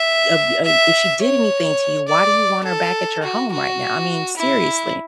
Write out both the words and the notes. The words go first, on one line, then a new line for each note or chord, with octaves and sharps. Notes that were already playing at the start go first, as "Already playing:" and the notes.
ub uh if she did anything to you, why do you want her back at your home right now?" I mean, seriously.
Already playing: E5
E5
C#5
D5
A4
F#4
F#4
E4